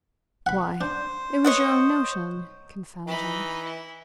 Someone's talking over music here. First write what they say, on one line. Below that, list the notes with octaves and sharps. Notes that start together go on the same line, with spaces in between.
"Why, it was your own notion, confound you!"
F#5 B5
D4 C5
C#5 D#5 F#5
E3 D#4 B5
E4